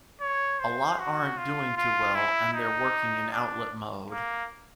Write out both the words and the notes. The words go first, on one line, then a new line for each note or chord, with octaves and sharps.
A lot aren't doing too well and they're working in outlet mode.
C#5
C5
F#4
F4
F4
E4
D#4
D4
A#3